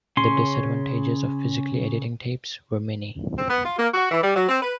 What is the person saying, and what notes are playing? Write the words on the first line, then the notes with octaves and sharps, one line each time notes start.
The disadvantages of physically editing tapes were many.
C#3 C#4 C6
C4
B3
F4
A#3
F#4
E3
G3
F#3
C4
B4